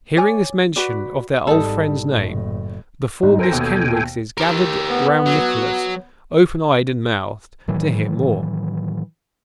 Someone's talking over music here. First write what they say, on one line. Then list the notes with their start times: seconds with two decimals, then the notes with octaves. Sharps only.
Hearing this mention of their old friend's name, the four Miss Kenwigses gathered round Nicholas, open eyed and mouthed, to hear more.
0.16 C#5 D5 G#5
0.76 F#4 B4 D5
1.47 G#1 G3 D#4 A4
2.06 F#1 A2
3.23 G1 G#2 D#4
3.39 A4 A#4 C5 G5 G#5 A#6
3.52 D#2 B2
4.38 G4 A#4
4.88 B3
5.26 F#3
7.68 A2 D#3 E3 F#3